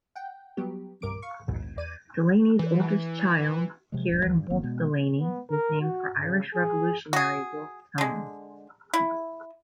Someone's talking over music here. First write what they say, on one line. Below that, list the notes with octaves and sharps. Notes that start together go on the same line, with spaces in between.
Delaney's oldest child, Ciaran Wolfe Delaney, is named for Irish revolutionary Wolfe Tone.
F#5 G5
F#3 G3 B3 G4
C2 G2 A#4 D6 D7
F5 C#6
A#1 D#2 G#2 B2
E2 D5 D#7
E3
C3 F3 F#3 G#3
D#1 G2
D2 E3
G2
G1 D#3 A#3 C4
B2 G#3 B3
B3
A#4
F#4
C#3
G#4
F#4 G#4
D3 G#3
E4